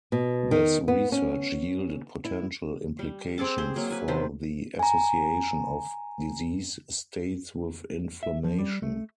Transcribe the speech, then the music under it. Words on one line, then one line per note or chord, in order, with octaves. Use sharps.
This research yielded potential implications for the association of disease states with inflammation.
B2
D#3
B3
C#4
E4
G3
C4 G#4 A4 D6
G4 G#4 C5
F#3 A#3
B4 G#5
C3 D#3 B4 C5
G#5 A#5
E5
F3
G3
A3